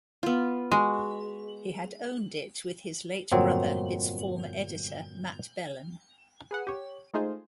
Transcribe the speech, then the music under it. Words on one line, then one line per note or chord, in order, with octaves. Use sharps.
He had owned it with his late brother its former editor, Matt Bellan.
B3 F4
G#3 F#4
G1 F2 A#2 F#3 C4
G#4 B4 F#5
G4 C#5
G#3 A3 D#4 F4 G#4 C5